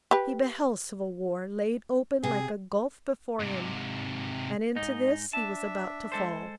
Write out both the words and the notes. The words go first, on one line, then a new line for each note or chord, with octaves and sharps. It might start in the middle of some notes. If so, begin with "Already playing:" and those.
He beheld civil war laid open like a gulf before him, and into this he was about to fall.
G4 B4
C3 G#4
G#2 C3
G#2 D#4 D#5
D4 E5 A5
G#3 A4 C5